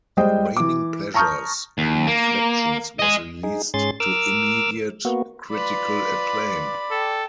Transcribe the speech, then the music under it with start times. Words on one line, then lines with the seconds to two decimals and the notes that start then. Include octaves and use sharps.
Raining Pleasure's "Reflections" was released to immediate critical acclaim.
0.17 G3 G#3 C5 D#5 G5
0.57 E3 D6
1.14 A5 A#5 C#6 D#6 F6 G6
1.78 D#2
2.07 A#3
2.99 D#5 G#5
3.43 D#4 G#4
3.74 G#2 C#4 G#4 C6 A6
4.00 A#4 D6 E6 F6
5.05 A#3 B3 F#4
5.51 F4 B4 D5 B5
6.91 A4 G5